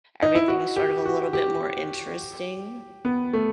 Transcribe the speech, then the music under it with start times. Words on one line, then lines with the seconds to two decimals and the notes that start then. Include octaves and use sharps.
everything sort of a little bit more interesting?
0.22 D#4
0.35 E4
0.48 F#4
0.76 G4
1.06 F#4
1.33 G4
3.05 B3
3.33 A3